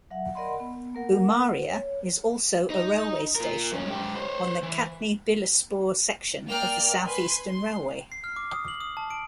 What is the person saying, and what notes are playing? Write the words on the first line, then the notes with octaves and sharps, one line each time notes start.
Umaria is also a railway station on the Katni-Bilaspur section of the South-Eastern Railway.
F#3 E5 F#5
A#4 D5 D#5 F#5 B5 C6
B3
A#3 A#4 F#5
C#5
D#4
F4 A#4
F2 C#4
G#2 G4
C5 C#5
E3
A#3 D5 G5 F6
B4 G#5 C6
C6
C7
F6
D6
D#6
F#7
D#6
A5
D7